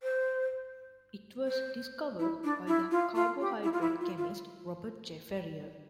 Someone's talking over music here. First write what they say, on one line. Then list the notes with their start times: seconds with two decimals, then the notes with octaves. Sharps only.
It was discovered by the carbohydrate chemist Robert J. Ferrier.
0.02 C5
1.47 C5
2.19 E4
2.44 D4
2.67 E4
2.91 F4
3.15 F4
3.40 G4
3.63 E4
3.73 F4
3.81 E4
4.01 F4
4.18 F4